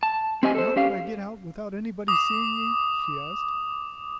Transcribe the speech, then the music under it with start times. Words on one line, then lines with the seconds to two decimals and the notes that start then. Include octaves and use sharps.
"Now could I get out without anybody seeing me?" she asked.
0.03 A5
0.43 C4 G4 D#5 G#5
0.55 A4 C5
0.76 C#4 G4 F5
2.08 D6 D#6